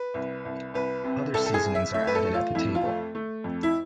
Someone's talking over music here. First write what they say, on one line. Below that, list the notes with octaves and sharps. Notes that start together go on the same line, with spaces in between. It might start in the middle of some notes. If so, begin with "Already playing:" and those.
Other seasonings are added at the table.
Already playing: B4
C2
C2
C2 B4
C3
C2 A4
A4
G#4
C2
E5
A3 E5
B4
A4
A3
F4
F2 E4
F4
A3
A3
F2
E4